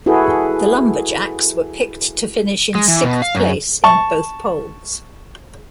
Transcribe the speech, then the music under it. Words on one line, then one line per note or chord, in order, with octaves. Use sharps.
The Lumberjacks were picked to finish in sixth place in both polls.
E4 F#4 G#4 A4 B4
G#3
E3
B2
F5
F#2
A5 C#6